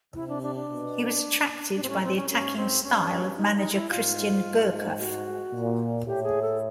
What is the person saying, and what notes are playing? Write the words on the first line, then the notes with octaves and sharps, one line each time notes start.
He was attracted by the attacking style of manager Christian Gourcuff.
C3 E4
D4
D4
D4
B2
A2 D4
C4
C#4
C4
C#4
G#2 C#4
C4
G2 C#4
D#4
D#4
E4
G#2 F4
G#2
F#4
A#2
A2 G4
G#4
A4